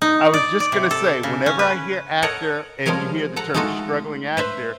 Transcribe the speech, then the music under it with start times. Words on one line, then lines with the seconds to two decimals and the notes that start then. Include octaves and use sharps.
I was just gonna say, whenever I hear actor, and you hear the term, "struggling actor,"
0.02 D#4
0.34 D5
0.60 D5
0.72 C3
0.91 A4
1.23 C#3
1.46 C#4
1.59 B4
2.22 A4 A#4 C#5 D#5 F#5
2.86 F3 G3 G#3 A#4 C#5 G#5
3.36 A4 F#5 A#5
3.54 G#3 A3 D#4 F4 F#4 A4
4.37 B4 C5 E5